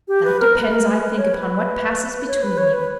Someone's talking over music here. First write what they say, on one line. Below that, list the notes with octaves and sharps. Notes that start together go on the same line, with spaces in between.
That depends, I think, upon what passes between you.
G4
B4
A#4
B4
A#4
B4
B4
C#5
B4
C#5
B4
C#5
B4